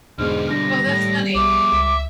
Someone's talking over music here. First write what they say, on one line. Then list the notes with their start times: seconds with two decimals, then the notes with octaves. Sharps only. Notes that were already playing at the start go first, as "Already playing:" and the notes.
Oh, that's funny.
0.18 E2 G#2 B2 D3 F6
0.50 G3 D4 A#6
0.87 A2 D#3
1.35 B1 G#4 E5 D6
1.72 C#2 E5